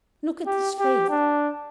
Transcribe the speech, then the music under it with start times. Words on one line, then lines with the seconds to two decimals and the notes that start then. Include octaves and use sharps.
Look at his face.
0.46 G4
0.80 G4
1.10 D4